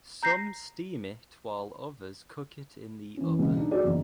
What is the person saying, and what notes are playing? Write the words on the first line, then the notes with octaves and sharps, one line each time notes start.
Some steam it while others cook it in the oven.
A#5 G6 A#6 C7
E3 C#4
E1 C#2
D4 D#4
F#4 G#4 D5
F#1 E2 D#3